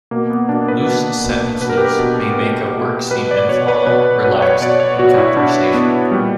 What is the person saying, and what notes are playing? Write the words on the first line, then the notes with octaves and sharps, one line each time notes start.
Loose sentences may make a work seem informal, relaxed, and conversational.
B2 A#3
B3
B2 D4
B4
B2
B2
B2 B4
A#4
G4
A#4
B2
B2
B2
B2 B4
D5
B2 C#5
B4
B2 B4
B2 B4
C#5
B2 D5
C#5
B2 F#4
E4
B2 D4
B2 B3
A#2 G3